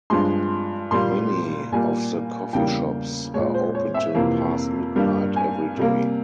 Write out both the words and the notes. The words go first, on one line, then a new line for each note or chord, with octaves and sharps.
Many of the coffeeshops are open till past midnight every day.
G2 F3 G#3 C6
A#2 G3 A#3 C6
A#2 G3 A#3 G#5
E2 C#3 G3 A#3 G5
A#2 G#3 C#5
C5
C#5
E5
F2 C3 E3 A#3
G2 G3 A#3
G#5
C3 G3 A#3